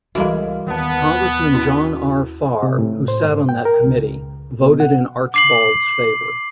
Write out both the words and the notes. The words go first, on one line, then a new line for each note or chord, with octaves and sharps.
Congressman, John R. Farr, who sat on that committee, voted in Archbald's favor.
C#2 E3 G3 G#3 A#3 F#4
D#2 D#3 B3 A5
C#4 E4 F#4
C3
A2
C5
G#2
G5
A#4
C#2
B2
F#5
D6 C7 F#7